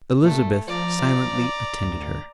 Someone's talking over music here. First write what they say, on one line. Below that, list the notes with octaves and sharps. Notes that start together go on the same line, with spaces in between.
Elizabeth silently attended her.
A#2 A3
F3 D5 A#5
D2